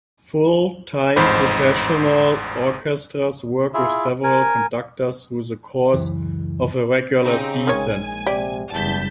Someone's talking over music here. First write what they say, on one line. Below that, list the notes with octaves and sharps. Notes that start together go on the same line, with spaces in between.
Full-time professional orchestras work with several conductors through the course of a regular season.
A1 F2 G#2 C5 B5
E4 F4 G#4 E5
A#4 G#5
C#2 F#2 E3
C#3 C4 D#4 G4
A#1 D#3 G#3 C#5 G#5
C3 G4 D5
F#1 E2 G#2 G3 A5 G6 B6